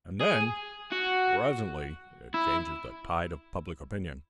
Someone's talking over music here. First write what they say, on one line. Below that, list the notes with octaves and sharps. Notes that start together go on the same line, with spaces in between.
And then, presently, it changes the tide of public opinion.
G#4
F#4
E4